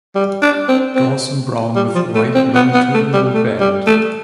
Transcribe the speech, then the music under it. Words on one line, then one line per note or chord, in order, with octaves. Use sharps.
Dorsum brown with white longitudinal band.
G3
D4
C4
C4
G3
F3
A3
C4
B3
B3
A3
G3
A3
G3
A3